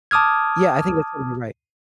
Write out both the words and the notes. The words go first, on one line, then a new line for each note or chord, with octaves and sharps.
Yeah, I think that's totally right.
A5 D6 D#6 F6 G#6